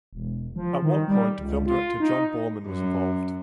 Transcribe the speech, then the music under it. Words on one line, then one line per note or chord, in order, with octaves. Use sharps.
At one point, film director John Boorman was involved.
E1
F3
D#3
G3
C#2
F4
D#4
F#2